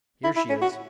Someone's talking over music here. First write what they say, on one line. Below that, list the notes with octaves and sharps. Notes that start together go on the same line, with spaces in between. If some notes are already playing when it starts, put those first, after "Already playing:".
Here she is.
E4
E4
C#4
F#4